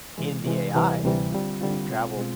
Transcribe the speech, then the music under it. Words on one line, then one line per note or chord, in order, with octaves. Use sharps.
in the AI and we've traveled
C3 E3 G#3
C3 E3 G#3
D2 C3 E3 G3
D2 C3 E3 G3
D3 G3 C4 F4
D3 G3 C4 F4
B2 G#3 C4 F4
B2 G#3 C4 F4